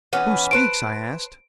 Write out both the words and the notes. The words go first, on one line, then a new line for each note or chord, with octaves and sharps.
"Who speaks?" I asked.
E3 B3 C#4
B4 C5 A5 D7